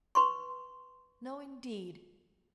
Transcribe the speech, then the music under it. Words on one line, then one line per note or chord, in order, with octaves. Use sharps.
No, indeed!
B4 C6 C#6